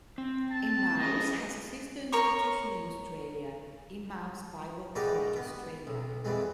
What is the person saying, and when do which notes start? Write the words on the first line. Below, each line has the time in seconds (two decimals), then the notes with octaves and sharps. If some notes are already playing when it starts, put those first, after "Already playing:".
Emmaus has a sister institution in Australia, Emmaus Bible College, Australia.
0.18 C4
0.51 A5
0.99 C#4 G#4 B4 D#5
2.12 A#4 C#5 C#6
4.95 G#2 G3 D#4 F#4 A#4 D5
5.36 B3
5.87 B1
6.25 F2 E3 G3 G#3